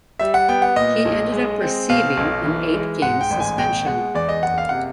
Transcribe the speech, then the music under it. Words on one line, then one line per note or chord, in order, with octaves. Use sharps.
He ended up receiving an eight-game suspension.
G3 E5
F#5
B3 G5
F#5
A#2 D#5
B1
G#3
C4
B2 F5
B1
E3
G#3
G#2 F#5
G5
A1
G#5
B2 G5
G#3 F#5
E2 D5
D#5
F#1 F#5
F5
C3 F#5